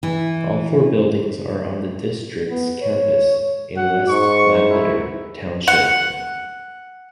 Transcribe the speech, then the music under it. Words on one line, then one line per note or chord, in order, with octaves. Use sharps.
All four buildings are on the district's campus in West Lampeter Township.
E3
B3
C#5
F#4 F#5
G#2 C#6
E4
F#5